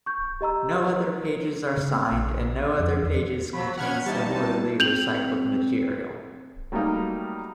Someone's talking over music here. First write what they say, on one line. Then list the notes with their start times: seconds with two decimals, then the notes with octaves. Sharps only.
No other pages are signed and no other pages contain similarly recycled material.
0.06 C#6 G6
0.41 G4 D#5 A#5 E6
1.77 C#3
1.94 C4
2.12 A#1
2.79 F2
3.03 E2
3.53 F3 F#3 B5
3.78 F3 C#4 F#5 F6 G#6
4.06 A2 E3 G3 D#4 A5
4.30 C2
4.80 C4 G6 F7 F#7
6.72 F#3 G3 A3 A#3 D#4